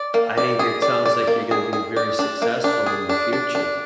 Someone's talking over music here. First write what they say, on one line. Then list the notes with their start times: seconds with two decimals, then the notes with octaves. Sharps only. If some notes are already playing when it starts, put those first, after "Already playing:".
I think it sounds like you're gonna be very successful in your future.
Already playing: D5
0.14 A#3
0.37 D5
0.59 G#4
0.82 D5
1.05 D5
1.27 A#3
1.51 G#4
1.73 G#4
1.96 D5
2.19 D4
2.42 A#3
2.64 D4
2.86 G#4
3.09 D4
3.33 D4
3.55 D4